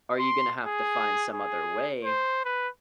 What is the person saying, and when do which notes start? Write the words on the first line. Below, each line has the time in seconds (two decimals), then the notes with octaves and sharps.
Are you gonna have to find some other way
0.19 C6
0.67 G#4
1.33 G#4
2.05 C5
2.45 B4